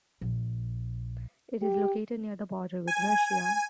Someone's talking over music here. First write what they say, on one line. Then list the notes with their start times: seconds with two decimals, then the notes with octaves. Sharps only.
It is located near the border with Russia.
0.21 A#1
1.62 G4
2.87 G#5